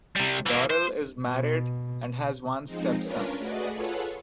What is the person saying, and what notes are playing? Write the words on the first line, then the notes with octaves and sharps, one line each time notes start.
Dorrel is married and has one stepson.
C3 G3
E3 A#3
C5
B2
F3 G#3 C4 D#4
C#4 D4 F4 A#4 B4 C#5
A3 F#4 G#4 B4 D5 D#5
F4 G#4 A4 B4 C#5 F#5